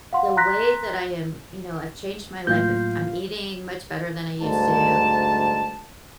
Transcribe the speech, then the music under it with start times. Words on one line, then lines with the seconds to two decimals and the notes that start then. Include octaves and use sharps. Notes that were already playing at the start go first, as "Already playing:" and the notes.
the way that I am You know, I've changed my life, I've I'm eating much better than I used to,
0.13 F5 F#5 C6
0.37 A#5 C6 F#6 A#6 B6
2.47 A2 F#3 A#3 F4 F5 G6
4.41 G1 D2 G#2 A5